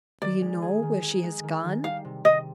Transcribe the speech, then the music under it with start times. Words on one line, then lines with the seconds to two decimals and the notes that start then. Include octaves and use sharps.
"Do you know where she has gone?"
0.22 D#3 D5
0.42 G#3
0.62 G#4
0.82 D#3
1.03 G#4
1.23 G#3
1.43 D#3
1.64 D#3
1.84 G3 F5
2.05 C3
2.25 C3 D#5